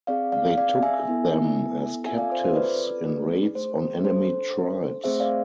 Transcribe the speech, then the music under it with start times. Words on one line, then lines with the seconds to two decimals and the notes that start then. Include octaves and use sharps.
They took them as captives in raids on enemy tribes.
0.07 C4 G#4 D5 F5
0.32 D5 F5
0.58 D5 F5
0.83 E5 G#5
1.07 B3 E4 A4
2.06 C4 F4 A4 E5 G#5
2.18 D5 F5
2.31 C5 E5
2.44 C5 E5
2.56 B4 D5
3.05 A3 D4 G#4
3.55 C5
4.04 D4 A4 C5
5.04 A3 C4 G#4 C5 E5
5.20 D5 F5